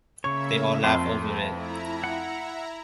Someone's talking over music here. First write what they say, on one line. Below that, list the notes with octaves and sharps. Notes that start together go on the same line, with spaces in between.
They all laugh over it.
C#3 A#3 C#5 E5 C#6
F2 A3 C6
E4 A#5
F#5